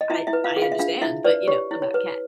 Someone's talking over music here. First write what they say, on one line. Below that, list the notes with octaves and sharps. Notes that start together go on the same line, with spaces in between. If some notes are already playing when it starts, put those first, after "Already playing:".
I I understand, but, you know, I'm not a cat.
D#5
E4 F4 E5
E4 E5
B4
F4 F5
G#4
F4 F5
E5
D4 F4 F5
E4 F4 E5
B4 D5
G4 C#5
E4
C#5
B4